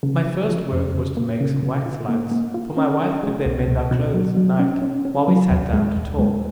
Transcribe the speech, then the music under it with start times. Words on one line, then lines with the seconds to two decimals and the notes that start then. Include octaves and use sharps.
My first work was to make some wax lights, for my wife could then mend our clothes at night, while we sat down to talk.
0.03 C#3
0.26 F3
0.49 F3
0.72 F2
0.95 C#3
1.17 A#3
1.41 C#3
1.63 C#3
1.86 F4
2.08 A#3
2.31 A#3
2.54 F4
2.77 C#4
3.00 C#4
3.23 G#3
3.45 C#2
3.68 B2
3.91 B2
4.14 F#3
4.37 F#3
4.60 C#4
4.82 C#4
5.05 C#4
5.28 F#3
5.51 D#2
5.73 G#3
5.96 D#2
6.19 G#3